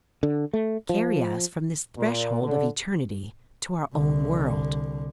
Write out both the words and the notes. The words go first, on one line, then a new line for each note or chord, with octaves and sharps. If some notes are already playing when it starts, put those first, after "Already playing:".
"Carry us from this threshold of eternity to our own world."
D3
A3
F3
A#2
D3
C2 D3